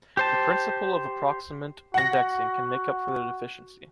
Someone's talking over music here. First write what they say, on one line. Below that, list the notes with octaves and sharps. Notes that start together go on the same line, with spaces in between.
The principle of approximant indexing can make up for the deficiency.
G4 C5 A5
F#4 F#5 A#6